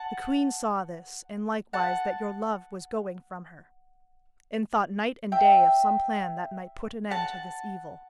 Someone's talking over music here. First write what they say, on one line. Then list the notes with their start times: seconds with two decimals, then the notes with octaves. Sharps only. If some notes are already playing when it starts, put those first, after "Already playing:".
The queen saw this, and likewise that your love was going from her, and thought night and day of some plan that might put an end to this evil.
Already playing: F#5 A5
1.73 F#5 A5
5.32 E5 G5
7.11 F#5 A5